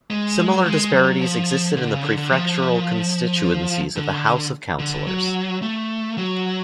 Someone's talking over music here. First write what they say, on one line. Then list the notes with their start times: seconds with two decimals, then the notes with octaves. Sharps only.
Similar disparities existed in the prefectural constituencies of the House of Councillors.
0.10 G#3
0.54 F#3
0.66 G#3
0.93 F#3
1.21 F3
1.77 D3
1.90 C#3
2.03 D3
2.17 D3
2.31 F3
3.96 D3
4.79 D3
5.07 F#3
5.62 A3
6.18 F#3